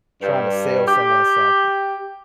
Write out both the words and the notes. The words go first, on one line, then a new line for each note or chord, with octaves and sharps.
trying to sell someone something.
G2
G4